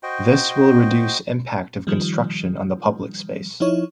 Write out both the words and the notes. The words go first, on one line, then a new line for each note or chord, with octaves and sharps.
This will reduce impact of construction on the public space.
F#4 C5 D#5 G5
D#3 F3 G3
F3 D#4 E4 C#5